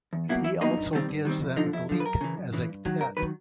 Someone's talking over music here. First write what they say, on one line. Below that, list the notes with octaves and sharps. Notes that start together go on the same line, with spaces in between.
He also gives them Gleek as a pet.
E2
B2 F#3 A#3 E4
E2 E4
B2 F#3 A#3 D#4
G2
D#3 G3 C4
G2
D#3 G3 C4
F2
D3 F3 D#4
F2 E4
D3 F3
B4
F#2 A#4
C#3 E3
F#2
C#3 E3
G2
D#3 F#3
G2 A#4
D#3 F#3 B4